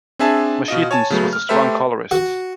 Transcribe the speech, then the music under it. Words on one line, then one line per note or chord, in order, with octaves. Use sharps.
Machetanz was a strong colorist.
C4 D4 G#4 E5 G#5 A5
B2 F4 D#5
C#5 G#5 A5
C#3 F#3 A3 B3
F6
A3 G4 A4 B4 C5 E5
F#4